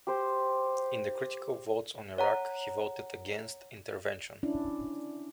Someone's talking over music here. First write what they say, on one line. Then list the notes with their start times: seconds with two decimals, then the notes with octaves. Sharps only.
In the critical votes on Iraq, he voted against intervention.
0.07 G4 C5
2.18 C#5 F#5 A#5
4.43 C#4 D4 E4